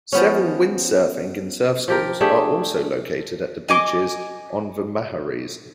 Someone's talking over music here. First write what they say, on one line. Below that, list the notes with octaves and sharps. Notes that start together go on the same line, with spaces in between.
Several windsurfing and surf schools are also located at the beaches on the Maharees.
F3 B3 C#4
F3 G4 A#4
A3 D4 G4 G#4
D#5 G#5 D6